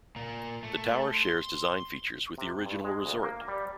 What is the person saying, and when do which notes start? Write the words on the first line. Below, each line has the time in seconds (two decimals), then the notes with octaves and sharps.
The tower shares design features with the original resort.
0.16 A#2 A#3
0.63 A3
1.14 C6
2.38 C3
2.65 G2
2.84 G#3
3.06 D2
3.23 A#3
3.48 G3